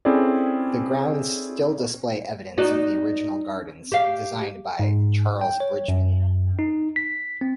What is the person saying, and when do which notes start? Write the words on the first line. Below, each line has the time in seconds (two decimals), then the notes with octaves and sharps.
The grounds still display evidence of the original gardens, designed by Charles Bridgeman.
0.05 C4 C#4 E4 G#4 A4 D5
2.58 D#4 F#4 D5
3.92 G4 F5
4.79 G#2
5.41 G5
5.60 C#5
5.88 F#2
6.59 D#4
6.96 B6
7.41 C4